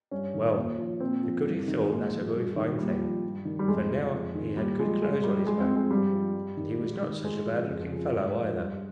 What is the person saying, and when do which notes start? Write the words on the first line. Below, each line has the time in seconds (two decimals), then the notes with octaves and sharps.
Well, the goody thought that a very fine thing, for now he had good clothes on his back, and he was not such a bad-looking fellow either.
0.11 G2 C#4
0.34 D#3
0.56 A#2
0.78 F3
1.00 A#2 C4
1.23 F3
1.45 G2
1.68 D#3
1.90 A#2 G#3
2.12 F3
2.35 G2
2.56 D#3
2.79 A#2 G3
3.01 F3
3.24 G2
3.45 D#3
3.59 G3
3.68 F2 G#3
3.90 C#3 F3
4.13 F2
4.35 D#3
4.57 A#2 G3
4.79 F3 G#3
5.02 G2 G#3
5.24 F3 G3
5.46 G#2 G#3
5.61 C4
5.68 F3
5.76 G#3
5.90 G2 G3
6.12 F3
6.35 G2
6.57 D#3
6.80 G#2
7.02 D#3
7.24 G#2 G#3
7.46 F3
7.68 F2
7.91 C#3 F3
8.13 G#2
8.35 F3
8.58 G2